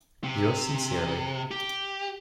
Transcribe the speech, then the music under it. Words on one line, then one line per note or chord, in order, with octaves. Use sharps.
Yours sincerely.
C3
G4